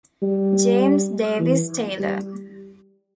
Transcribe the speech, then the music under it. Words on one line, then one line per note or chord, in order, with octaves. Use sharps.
James Davis Taylor.
G3
E3
G3